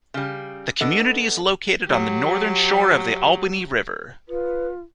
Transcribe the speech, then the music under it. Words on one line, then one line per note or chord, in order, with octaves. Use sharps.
The community is located on the northern shore of the Albany River.
C#3 G3
B3 D4 A4 D#5
F#3 G4
F4 B4